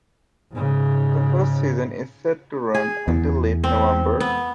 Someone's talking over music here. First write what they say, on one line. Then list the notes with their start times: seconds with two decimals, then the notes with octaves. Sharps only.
The first season is set to run until late November.
0.52 G#2 C#3
2.75 G#4
3.08 E2
3.64 C4
4.20 B3